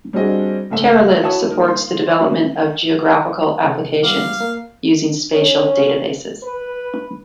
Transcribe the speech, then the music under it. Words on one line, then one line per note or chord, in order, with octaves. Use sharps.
TerraLib supports the development of geographical applications using spatial databases.
G3 C4 D4 F#4 G#4 D#5
F#1 G#2 A3 E5
E4 F#4 C#5 E5 A5 D#6
A#3 D#4 A#4
F5 C6
D2 B2 F#3 A#3
C3 G#4 A4
G3 B3 F5 D6
A#3
C#4
B4